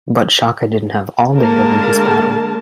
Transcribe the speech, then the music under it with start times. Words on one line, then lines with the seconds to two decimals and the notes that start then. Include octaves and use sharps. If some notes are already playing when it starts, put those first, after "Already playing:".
But Shaka didn't have all day to win his battle.
1.38 D3 G#3 A#3 A#4 A5